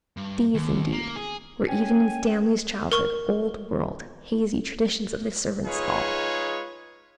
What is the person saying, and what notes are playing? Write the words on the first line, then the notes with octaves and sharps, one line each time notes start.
These, indeed, were even in Stanley's childhood old-world, hazy, traditions of the servants' hall.
G2
D#2
A#3
G#4
C#4 G5 G#5
A#4 C#6
G#3 D#4 F4 G#4 B4 C#5